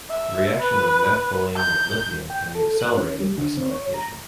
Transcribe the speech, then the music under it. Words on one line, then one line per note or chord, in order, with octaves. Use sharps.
The reaction of naphthalene with lithium can be accelerated by sonication.
E5
B4
G6
G5
A4
F#6
C#4
G3
D3
C4
C#5
A#5